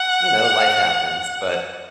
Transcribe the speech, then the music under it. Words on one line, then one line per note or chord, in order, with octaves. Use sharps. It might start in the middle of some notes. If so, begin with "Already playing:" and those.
you know, life happens, but
Already playing: F#5